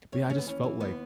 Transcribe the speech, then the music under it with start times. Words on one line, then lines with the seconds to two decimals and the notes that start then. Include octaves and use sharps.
but, yeah, I just felt I
0.12 D#2 C#5
0.30 D#2 C#4
0.38 B3
0.47 E3 C#4
0.63 E3
0.80 D#2 B3